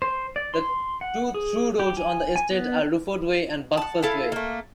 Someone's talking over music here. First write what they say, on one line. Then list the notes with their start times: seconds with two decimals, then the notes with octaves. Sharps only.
The two through-roads on the estate are Rufford Way and Buckfast Way.
0.02 C5
0.36 D5
0.54 C6
1.01 F#5
1.34 G#4
1.79 G4
1.97 G#5
2.36 G#5
2.51 B3
3.77 F#5 A5
4.03 E4 A4 F5
4.32 A3 A#3